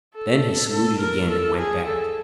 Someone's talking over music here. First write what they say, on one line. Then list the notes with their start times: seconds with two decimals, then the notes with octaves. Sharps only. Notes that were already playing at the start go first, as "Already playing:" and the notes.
Then he saluted again and went back.
0.15 A4
0.71 A4
1.00 A#4
1.29 A4
1.58 G#4
1.86 A4